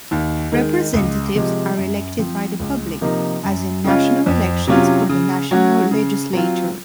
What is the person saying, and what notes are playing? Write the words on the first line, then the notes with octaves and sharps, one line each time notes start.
Representatives are elected by the public, as in national elections for the national legislature.
D#2
D#3 G#3
C#2
C3 F3 G#3
F#2
F3 C4
C#2
C3 F3 A#3 D#4
F#2
C#3 G#3 C#4 F4
F2
C3 F#3 C#4 F4
C#3
F#3 C#4 F#4
C#3
F#3 C4 F4